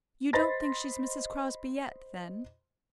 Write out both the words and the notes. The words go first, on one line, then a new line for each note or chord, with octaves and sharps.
"You don't think she's Mrs. Crosbie yet, then?"
C5 D#5 B5 C6 A6 A#6